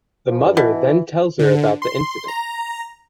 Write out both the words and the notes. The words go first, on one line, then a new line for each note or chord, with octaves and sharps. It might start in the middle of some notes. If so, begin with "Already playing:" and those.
The mother then tells her about the incident.
F3
G2
B2 E3
D3
C6
A#5